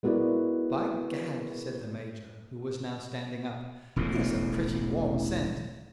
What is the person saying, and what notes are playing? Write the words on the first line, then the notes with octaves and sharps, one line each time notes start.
"By Gad," said the Major, who was now standing up; "there's a pretty warm scent!"
G#3 B3 E4 F#4 A#4 D5
E1 A1 E2 A2